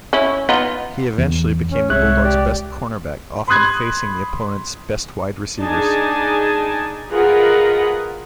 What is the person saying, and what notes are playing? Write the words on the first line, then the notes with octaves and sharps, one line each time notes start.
He eventually became the Bulldogs' best cornerback, often facing the opponents' best wide receivers.
C#4 E4
B3 D#4 F4
E2
C#4
C2 C3 G#3 C#5 E5 F#6
G4 D5
B5 C6 D#6 F#6 G#6
D4 D#4 G#4 G#5 A5
F4 G#4 A#4 B4 D#5 F#5